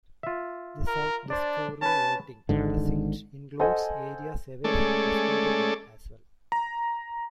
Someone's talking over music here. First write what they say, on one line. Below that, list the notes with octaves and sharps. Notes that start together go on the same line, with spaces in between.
The South Discovery voting precinct includes areas away from Discovery Bay, as well.
F4 E5
A#4
D4 C5 D5
C#4 B4 A5
G#1 G#2 D3
A4 C5 D#5 F#5 G#5
G#3 A3 C#4 A4 D5
A#5